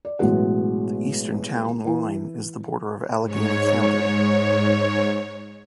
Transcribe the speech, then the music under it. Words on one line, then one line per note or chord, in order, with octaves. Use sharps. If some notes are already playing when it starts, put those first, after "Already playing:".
The eastern town line is the border of Allegany County.
D5
A1 B2 F#3 G#3 G#4 F#5
E3 E4
G#2 C#5